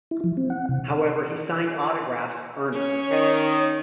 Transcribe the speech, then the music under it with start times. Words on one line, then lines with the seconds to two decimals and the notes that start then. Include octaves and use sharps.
However he signed autographs Ernest.
0.11 E4
0.24 F3
0.37 C4
0.50 F#5
0.69 C3
2.73 C#4 C#5
3.10 D#3